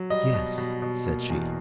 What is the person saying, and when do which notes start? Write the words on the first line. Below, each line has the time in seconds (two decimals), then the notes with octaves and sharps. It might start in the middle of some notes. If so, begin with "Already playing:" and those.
"Yes," said she.
Already playing: F#3
0.10 G3 D#5
0.34 B2
0.58 B2
0.82 B2
1.06 A#3
1.30 E2